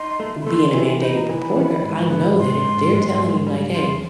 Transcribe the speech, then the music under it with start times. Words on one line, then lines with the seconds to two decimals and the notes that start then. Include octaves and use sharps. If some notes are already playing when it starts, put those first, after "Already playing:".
b being a mandated reporter, I know that if they're telling you, like, "Hey,
Already playing: D#4 C6
0.20 A3
0.42 B5
0.46 A3 C6
0.74 E3
1.01 D#4 B5
1.15 A#5
1.29 E3 B5
1.56 E3
1.84 G#2
2.10 B3 B5
2.38 G#2 C6
2.65 G#2
2.93 G#2
3.20 G#2
3.47 G3
3.74 E2 C6